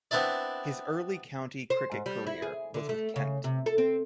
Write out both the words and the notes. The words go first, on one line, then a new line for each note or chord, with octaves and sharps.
His early county cricket career was with Kent.
B3 C4 D4 E4 D5
C5
G#2
G3
E4
G#4
D3
A3
C#3
C3
A4
C4